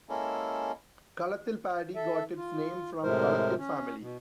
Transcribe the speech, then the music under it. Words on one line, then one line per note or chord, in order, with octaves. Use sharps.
Kalathilpady got its name from Kalathil Family.
G#3 A#3 C#4 E4 A4
A4 E5
F4
A2 C3 G#3 A#4 C5
C#4
B2